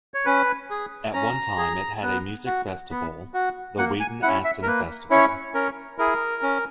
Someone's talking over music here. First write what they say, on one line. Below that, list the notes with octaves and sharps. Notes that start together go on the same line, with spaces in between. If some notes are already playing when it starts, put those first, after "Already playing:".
At one time it had a music festival, the Wheaton Aston Festival.
C#5
C#4 B4
G#4
C#4 A#5
G#4
B3
F#4
B3
F#4
A#3 F#5
G#5
C#4 E4 F#5
E5
A#4
A#3 B4
C#4 E4 C#5
C#4 A#4
E4 G#4 A#4
C#4